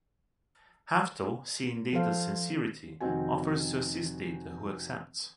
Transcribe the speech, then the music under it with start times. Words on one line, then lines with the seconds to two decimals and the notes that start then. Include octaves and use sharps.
Haftel, seeing Data's sincerity, offers to assist Data, who accepts.
1.93 F3 A4 C5 F5
3.00 F1 D#3 C4 F#4 G#5